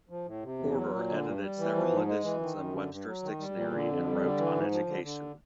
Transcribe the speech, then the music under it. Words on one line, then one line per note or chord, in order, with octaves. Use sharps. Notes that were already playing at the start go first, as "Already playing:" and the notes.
Porter edited several editions of Webster's Dictionary, and wrote on education.
F3
A2
C3
E2
F#3
A#2
D3
G2
G3
E3
F3
G#2
G#3
E3
D#3
F#2
D3
G2
F#3
D#3
G3
A#2
D3
F2
G3
D3
E3
G#2
F3
D3
D3